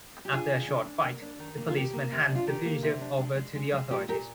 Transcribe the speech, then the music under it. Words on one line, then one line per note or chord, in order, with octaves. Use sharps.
After a short fight, the policeman hands the fugitive over to the authorities.
G4
D4 F4 G#4
D#3
D4
D4
A#3
D4
D#3
A#3
F4
D#3 G4
A#3
C3
D4
F4
D#3 G4
A#3
C3
D4
G#3
G#3
G#3
G#3
A#2 G4
A#2 G4 A#4